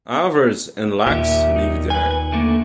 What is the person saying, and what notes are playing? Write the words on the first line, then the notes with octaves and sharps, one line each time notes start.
Avars and Laks live there.
D#2 A#2 G4 E5
D#4
B4 G#5
D3 A3 A#3